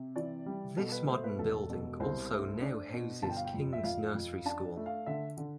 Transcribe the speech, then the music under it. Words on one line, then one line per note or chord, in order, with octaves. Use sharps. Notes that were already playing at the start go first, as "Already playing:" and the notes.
This modern building also now houses King's Nursery School.
Already playing: C3
E3 D5
G3
B2 A4
B4
A3 C5
B4
E1 A4
B2
C2 C5
A3
D4
B2
G1 A5
G5
F5
G5
F2
E5
F2 F5
F2
D4 A5
A3
F5
D3 E5
D3